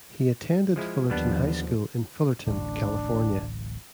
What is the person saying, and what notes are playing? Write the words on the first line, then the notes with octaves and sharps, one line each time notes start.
He attended Fullerton High School in Fullerton, California.
F3 G#3 E4
D#2 D3 F3 G3 B3 D4
D1 A1 D4